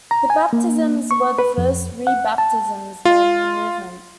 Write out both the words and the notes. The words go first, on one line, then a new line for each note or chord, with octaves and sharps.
These baptisms were the first "re-baptisms" known in the movement.
A#5
G#5
A#3
C#6
B4
F2
F#5
A5
F4